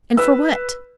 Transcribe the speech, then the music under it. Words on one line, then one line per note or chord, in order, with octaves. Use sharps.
"And for what?"
B4 E6